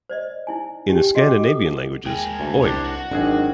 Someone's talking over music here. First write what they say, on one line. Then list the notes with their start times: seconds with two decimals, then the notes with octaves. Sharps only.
In the Scandinavian languages, Oi!
0.09 C5 D5 D#5
0.47 D#4 E4 G#5
0.88 D#4 G4 G5
1.15 F#4 D#5 F#5 G5 D6
1.40 G#4 A4
1.66 F#5
2.06 D#2 G#3 G#4 A#4 G5
2.40 D2
2.62 C2 D4 C5 C#5
2.84 F#4
3.12 G#1 D#3 F#3 D4 G#4